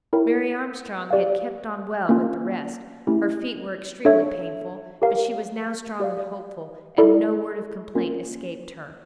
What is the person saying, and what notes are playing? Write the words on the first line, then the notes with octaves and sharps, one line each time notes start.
Mary Armstrong had kept on well with the rest; her feet were extremely painful, but she was now strong and hopeful, and no word of complaint escaped her.
E4 A#4 C#5 G5
G4 D5 F5
A#3 C#4 F4
A3 C#4 E4 G4
D4 A4 C#5 E5
G4 A#4 C#5 F5
G4 D5 F5
E4 A4 D5
A#3 C#4 F4 A#4